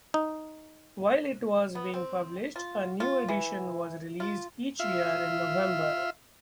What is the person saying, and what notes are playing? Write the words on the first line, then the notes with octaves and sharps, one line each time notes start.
While it was being published, a new edition was released each year in November.
D#4
B3
C4
F4
F4
E3
F4
F4 E5